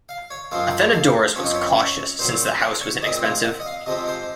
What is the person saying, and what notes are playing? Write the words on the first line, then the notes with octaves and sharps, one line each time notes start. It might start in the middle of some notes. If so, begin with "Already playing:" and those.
Athenodorus was cautious since the house was inexpensive.
F5
C#5
F#2 F3 G#3 C4 F5
F5
F#2 F3 C4 C#5
D#5
C#5
C#5
A#2 F#3 C4 C5
C5
C#5
A#2 G#3 C4 D#5
F5
F#5
D#5
F5
C3 F3 G#3 C4 D#5
C5